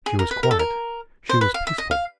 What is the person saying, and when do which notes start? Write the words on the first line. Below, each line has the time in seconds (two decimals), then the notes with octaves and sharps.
She was quiet, she was peaceful.
0.06 G#4
0.19 A#4
0.31 B4
0.43 A#4
0.51 A4
0.59 A#4
1.29 C5
1.41 B4
1.54 F5
1.67 E5
1.78 D#5
1.91 F5